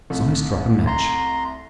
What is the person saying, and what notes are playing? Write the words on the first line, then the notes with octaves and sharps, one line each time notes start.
So he struck a match.
C2 A3
A#5 C6